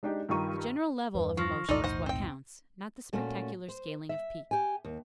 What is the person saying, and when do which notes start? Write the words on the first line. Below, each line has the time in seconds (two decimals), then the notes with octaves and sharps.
The general level of emotion is what counts, not the spectacular scaling of peaks.
0.03 G#3 D4 D#4 G4
0.29 G2 D#3 F4 A#5 C#6 D#7
1.15 E2 G2 B4
1.37 F3 C#6 F6 A#6
1.69 B1 E2 A2 D#4 F4 A4 D5
1.84 C5 F#5
2.06 C4 G5
3.13 A#2 A3 C#4 F#4
3.69 C5
4.09 E5
4.51 G4 G#5
4.85 D#2